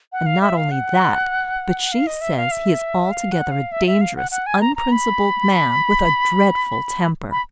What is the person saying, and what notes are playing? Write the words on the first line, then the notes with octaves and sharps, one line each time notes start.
And not only that, but she says he is altogether a dangerous, unprincipled man with a dreadful temper.
F#5
F5
E5
F5
F#5
F5
D#5
E5
F5
E5
F5
F#5
F5
E5
E5
F5
F#5
F#5
G#5
A#5
A#5
B5
B5